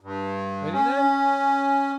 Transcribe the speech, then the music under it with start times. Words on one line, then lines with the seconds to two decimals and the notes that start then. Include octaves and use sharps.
"Ready then!"
0.01 G2
0.73 C#4